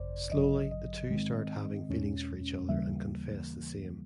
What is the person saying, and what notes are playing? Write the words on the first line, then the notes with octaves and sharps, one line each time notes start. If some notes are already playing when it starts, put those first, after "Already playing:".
Slowly the two start having feelings for each other and confess the same.
Already playing: G#1 F#2 C#3 C5 D5
A1 G2 D3 F#3 D#5
D#5
G#2 D#3 G#3 C4
E2 B2 G#3 C#4
D#2 C#3 E3 G3 A#3 E5